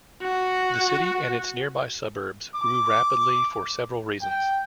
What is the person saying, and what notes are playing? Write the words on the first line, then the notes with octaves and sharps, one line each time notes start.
The city and its nearby suburbs grew rapidly for several reasons.
F#4
D6
G5